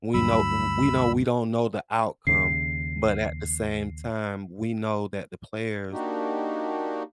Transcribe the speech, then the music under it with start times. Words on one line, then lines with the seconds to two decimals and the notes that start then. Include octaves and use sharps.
we know w we know we don't know the outcome, but at the same time, we know that the players,
0.14 D2 G2 F#3 B5 E6
2.27 D#2 C#3 C7
5.91 A#3 D4 D#4 F#4 G4